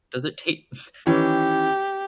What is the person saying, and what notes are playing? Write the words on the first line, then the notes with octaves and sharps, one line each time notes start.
Does it tast
D#3 E3 C#4 G4